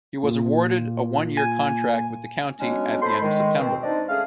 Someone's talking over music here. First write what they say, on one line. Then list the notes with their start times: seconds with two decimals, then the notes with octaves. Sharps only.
He was awarded a one-year contract with the county at the end of September.
0.23 A#2
1.37 G#5
2.60 F#3 G#3 B3 C#4 D4
3.02 A4 C5 B5 C6
3.22 D#3 G#3
3.59 B2 C4
3.83 C4 D4 D#4 D5 D#5
4.09 A3 C#4 G#4 F5